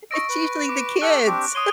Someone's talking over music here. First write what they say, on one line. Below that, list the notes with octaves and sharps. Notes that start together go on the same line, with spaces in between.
It's usually the kids.
D#5 C#6 E6 A#6 D7
B4
D6 D7
G4 A4 F#6
C4 D4 G4
C#5 C6 D#6 D#7 G7